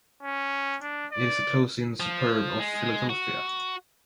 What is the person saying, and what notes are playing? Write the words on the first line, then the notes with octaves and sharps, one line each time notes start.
It is a close-in suburb of Philadelphia.
C#4
D4
D5
F3
G#3
F#4